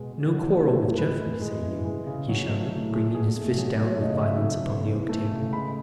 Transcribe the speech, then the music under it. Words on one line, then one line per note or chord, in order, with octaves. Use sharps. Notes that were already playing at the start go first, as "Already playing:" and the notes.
"No quarrel with Geoffrey, say you?" he shouted, bringing his fist down with violence upon the oak table.
Already playing: B2 G#3
G#3
F#3
A3
A2
G#3 B4
A2
G#3
E3
G#3
C#3
F#3
A3
A2
A3 G#4
B2 G#4
A3 G#4
F#4
F#3 G#4
A3 C#5
C#3 D#5
F#3 E5
A3
B2
E3
A3
C#3
G#3 B5